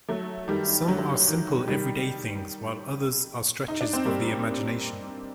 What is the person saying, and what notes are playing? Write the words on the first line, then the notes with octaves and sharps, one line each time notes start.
Some are simple everyday things, while others are stretches of the imagination.
F#3 A3
D#3 G3
D3 F#3
D#3
D#3 G3
D#4
D4
C4
G3 A#3